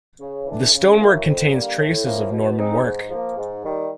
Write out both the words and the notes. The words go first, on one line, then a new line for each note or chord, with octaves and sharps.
The stonework contains traces of Norman work.
C#3
E3 A3 D4
C#3
F#3 A#3 C#4 E4
F2
D3 G3 A#3
A2
F3 A#3 C#4 E4
B2
G#3 C4 D#4
G#2
F3 A#3
G#2
D#3 G3